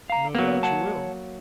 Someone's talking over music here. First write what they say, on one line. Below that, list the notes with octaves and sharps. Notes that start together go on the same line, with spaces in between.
"No doubt you will!"
F5 A#5
F#3 A#3 B3
C#5 F#5 A5